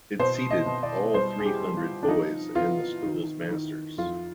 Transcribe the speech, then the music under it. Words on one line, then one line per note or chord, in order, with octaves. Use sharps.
It seated all three hundred boys and the school's masters.
B2 C5
D#5
B2
D5
G3 C5
G#4
G4
G3
F4
D4
F3 D#4
B3 F4
D#3
D#3
F2 F4